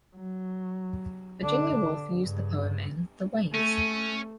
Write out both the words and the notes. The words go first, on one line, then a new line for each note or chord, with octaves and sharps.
Virginia Woolf used the poem in "The Waves".
F#3
D3 D4
G2 C#3
A3 C#4